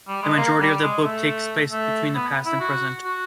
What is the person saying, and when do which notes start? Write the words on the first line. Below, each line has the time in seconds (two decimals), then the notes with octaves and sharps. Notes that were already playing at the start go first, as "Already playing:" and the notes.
The majority of the book takes place between the past and present.
0.08 G3
0.23 G#3
0.37 A#3
0.60 G3
0.82 G#3
1.04 A3
1.71 A3
2.15 B3
2.46 E4
2.60 F#4
3.04 F#4